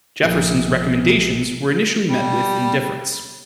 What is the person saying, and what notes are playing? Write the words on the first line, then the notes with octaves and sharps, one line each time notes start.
Jefferson's recommendations were initially met with indifference.
A#1
G3